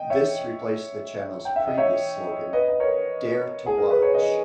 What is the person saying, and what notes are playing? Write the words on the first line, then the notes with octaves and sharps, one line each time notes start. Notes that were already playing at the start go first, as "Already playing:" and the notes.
This replaced the channel's previous slogan "Dare To Watch".
Already playing: D#5 G5
C#5 E5
G5
E5
D#5
C#5 E5
B4 D#5
D#5
A#4 C#5
G#4
A#4
B4
C#5
B4 D#5